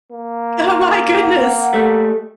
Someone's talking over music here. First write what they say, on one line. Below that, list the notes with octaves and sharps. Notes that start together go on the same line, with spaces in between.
oh my goodness.
A#3
F#5
G3 A3